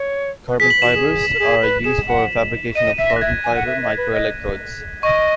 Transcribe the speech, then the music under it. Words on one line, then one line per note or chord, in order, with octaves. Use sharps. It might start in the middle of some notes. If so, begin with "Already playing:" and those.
Carbon fibers are used for fabrication of carbon-fiber microelectrodes.
Already playing: C#5
B4
G#4 B6
F#7
F#4 E7
G#4
A#4
G#4
B4
G#4 E7
F#5
D#5 D#7
D#7
E5 B6
A#6
F#6
E5 G#6
G#5
F#5
E5
D#5
B4
D#5
D#5 C#6